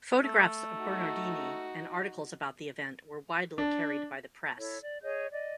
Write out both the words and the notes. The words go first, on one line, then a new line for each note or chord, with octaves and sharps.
Photographs of Bernardini and articles about the event were widely carried by the press.
A3
D#4 F#4
D4
E4 A4 C#5
D5
G#4 C#5 D#5 G6
D5 D#5